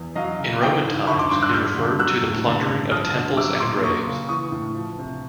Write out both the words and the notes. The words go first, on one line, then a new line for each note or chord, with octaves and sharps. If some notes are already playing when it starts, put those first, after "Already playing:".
In Roman times it referred to the plundering of temples and graves.
Already playing: E2
F#3 D#5 F5
C#3
E3 F5 G5
G#2
D3 B5 C#6
C6 D6
G2 C6 D6
E6 F#6
G3 F6 G6
D3
F#3 E6 F#6
A2
D3
G2
F3 D#6 F6
D3
F#3 D6 E6
A#2 C6 D6
F#3 C#6 D#6
C#3
E3 C#6 D#6
A2
F3
C3